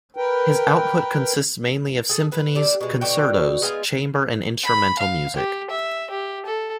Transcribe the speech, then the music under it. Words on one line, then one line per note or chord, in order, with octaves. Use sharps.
His output consists mainly of symphonies, concertos, chamber and instrumental music.
A#4 B4 G5
G#4 A4
B4
G3 D4 A4
B2 G#3
B2 D3 F#4 G5
G#3 B3 F4 G#5
B5
F5
G4
E5
G4
A4